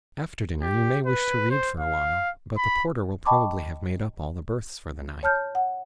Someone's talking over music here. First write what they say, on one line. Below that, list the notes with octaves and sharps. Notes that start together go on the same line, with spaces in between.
After dinner you may wish to read for a while, but the porter will probably have made up all the berths for the night.
G4
B4
C5
F5
B5
D#5 G5 A5 B5 C#6 D6
C#5 A5 F6 G6
F#5